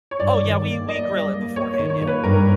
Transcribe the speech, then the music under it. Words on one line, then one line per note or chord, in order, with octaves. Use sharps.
Oh, yeah, we we grill it beforehand, yeah.
C#5
G2 D5
D#3
A#3
A#3 D#5
G3
A#3
A#3 C#5
C#5
D#3
C#5
A#3
B4
G2 A#4